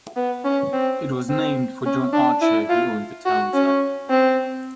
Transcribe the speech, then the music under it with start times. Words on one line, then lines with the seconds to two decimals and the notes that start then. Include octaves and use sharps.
It was named for John Archer, who owned the town site.
0.16 B3
0.44 C#4
0.73 C4
1.29 C4
1.85 C#4
2.13 D4
2.41 E4
2.70 F4
3.26 F#4
3.54 C#4
4.10 C4